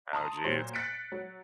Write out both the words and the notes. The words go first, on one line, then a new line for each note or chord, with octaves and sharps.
Oh, jeez.
A5 A#5 C6 D#6
A#2 F#3 C5
F#6 A6 B6 C#7 D7
F#3